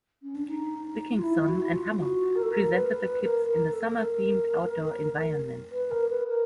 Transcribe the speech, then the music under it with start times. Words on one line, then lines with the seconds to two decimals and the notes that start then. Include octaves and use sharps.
Wikingsson and Hammar presented the clips in a summer-themed outdoor environment.
0.23 C#4
0.35 D4
0.48 D#4
1.18 F4
1.23 E4
1.48 F#4
1.62 E4
1.73 F4
1.98 F#4
2.36 A#4
2.43 A4
2.50 A#4
2.73 B4
2.98 B4
3.23 A#4
3.47 A#4
3.73 A4
3.88 A4
3.97 A#4
5.72 B4
5.90 A#4
6.10 B4
6.28 A#4